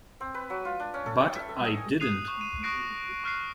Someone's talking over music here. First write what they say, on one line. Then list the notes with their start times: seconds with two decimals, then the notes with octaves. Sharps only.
But I didn't.
0.21 C4
0.34 B4
0.50 F#3
0.65 F4
0.80 D4
0.94 C#4
1.06 A4
1.21 G5
1.35 E5
1.49 A4
1.64 D#5
1.78 G#5
2.00 D#6 F#6 C7 D#7 F7
2.25 C#6 F#6
2.41 D#7
2.63 C#6 D#6 F#6 A#6 C7 D7
3.24 C#6 F6 F#6 C7